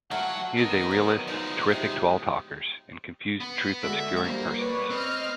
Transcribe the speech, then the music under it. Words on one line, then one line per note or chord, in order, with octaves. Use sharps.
He is a realist, terrific to all talkers, and confused truth-obscuring persons.
F#3 A3 E4 F5 F#5
B3 A#4 D#5
F#3
F3 G#3 D#4
C3 D#4 G4
B3
D3 G#3 F#4 E5
F3 G3 A#3
B4 C#5 D5
C4 D#5 F6